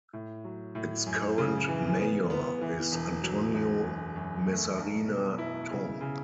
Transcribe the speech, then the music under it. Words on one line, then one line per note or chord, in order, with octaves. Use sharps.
Its current mayor is Antonio Mezzarina Tong.
A2
F#3
A2
F#2
C#3
E3
B3
B3
E3
E1
F#3
E1
F#2
F#2
A3
B1
B2
E4
C#3
C#3